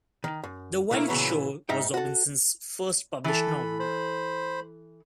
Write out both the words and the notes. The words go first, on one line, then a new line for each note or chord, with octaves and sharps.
"The Wild Shore" was Robinson's first published novel.
D#3
F#2
B1 A3 A#3 E4
A#2 C#3 E3 F#3 B3
G#2 D#4 E5 G5
F#4 A4
E3 A4 B5
C5 B5